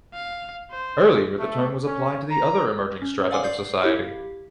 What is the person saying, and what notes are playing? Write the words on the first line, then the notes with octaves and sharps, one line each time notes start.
Earlier the term was applied to other emerging strata of the society.
F5
C5
A3
C#4
A#5
C#4
D5 F5 F#5 G#5 C6 D6
D5 G6 C7
E4 G4 F5